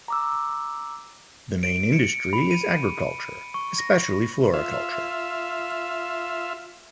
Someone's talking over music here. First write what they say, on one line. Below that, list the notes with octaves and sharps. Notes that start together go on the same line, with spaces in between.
The main industry is agriculture, especially floriculture.
A#5 D6 E6
D7
C#7
B5
D#7
C#6
A#6
F4 E5